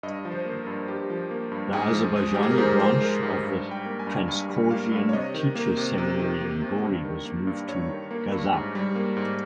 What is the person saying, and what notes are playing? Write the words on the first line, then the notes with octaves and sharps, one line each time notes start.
The Azerbaijani branch of the Transcaucasian Teachers Seminary in Gori was moved to Gazakh.
G2 D#5
F3
C5
A#3
A#4
G2
G2 G4
F3
A#3
G2
G#2 G#4
F3
G#3 G#4
G#2 G4
G#4
A#4
G#2 C5
F3 C5
G#3 A#4
G#2
G2
G3
G5
A#3
G#5
G2
G2 G#5
G3
A#3 F5
G2
C#5
C3 D#5
D#3
A#3
C3
C3
D#3
A#3
C3
G2
D#3
A#3
G2
G2 C#5
D#3
A#3
G2
G#2
G3
A#3
G#2